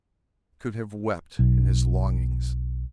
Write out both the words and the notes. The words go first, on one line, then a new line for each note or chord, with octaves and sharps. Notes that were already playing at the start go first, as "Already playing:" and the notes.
He could have wept in his longings.
B1